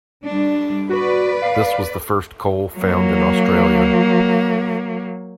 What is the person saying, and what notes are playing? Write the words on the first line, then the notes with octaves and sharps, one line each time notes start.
This was the first coal found in Australia.
G3 D4
F#4 B4 D5
F5
F#3 A#3